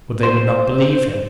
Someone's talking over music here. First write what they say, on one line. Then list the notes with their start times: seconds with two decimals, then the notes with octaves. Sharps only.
But they would not believe him.
0.23 C5